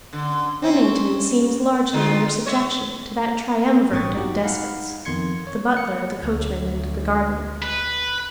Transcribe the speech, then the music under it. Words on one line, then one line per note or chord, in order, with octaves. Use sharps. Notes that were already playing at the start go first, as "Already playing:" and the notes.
Leamington seems largely under subjection to that triumvirate of despots--the Butler, the Coachman and the Gardener.
D3
C4 C#4
D3 D#4 F4
C#5 D#5 E5
A1 G2 G5 C#6 D#6 A6
D#4 F#4 G4
D#4 F5 F#5 B5
F2 D#3 B3 C6 G#6 C#7
C#5
A#3 C#7
D2
B4